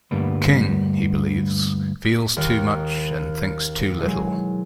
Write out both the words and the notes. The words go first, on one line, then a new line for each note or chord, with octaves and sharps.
King, he believes, "feels too much and thinks too little".
D2 G2 G3 A#3 B3
D#2
B2 E3 F#3 G#3